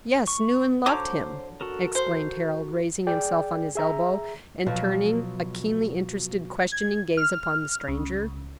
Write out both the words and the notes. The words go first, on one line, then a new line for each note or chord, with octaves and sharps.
"Yes; knew and loved him!" exclaimed Harold, raising himself on his elbow, and turning a keenly interested, questioning gaze upon the stranger.
C#6
D3 F#3 C5 D6
F#4 A4 A#4
C5
G#4 D5 G5
G#4 E5 A#5
B2 F3 F#3
G#6
F6
C#2